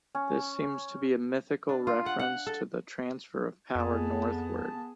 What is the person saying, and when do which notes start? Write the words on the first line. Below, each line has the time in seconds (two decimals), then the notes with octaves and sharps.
This seems to be a mythical reference to the transfer of power northward.
0.15 C#4
1.69 D4
1.87 F4
2.06 F#5
2.19 F#5
2.47 A4
3.75 F2 B3 G#4 A4 A5